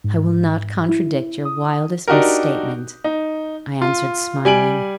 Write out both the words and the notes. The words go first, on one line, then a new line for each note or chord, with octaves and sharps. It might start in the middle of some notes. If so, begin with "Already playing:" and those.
'I will not contradict your wildest misstatement,' I answered, smiling.
G#2
E4
D#6
D4 D#4 F#4 G4 A#4
D#4
F4
G3 G#5 D7 F#7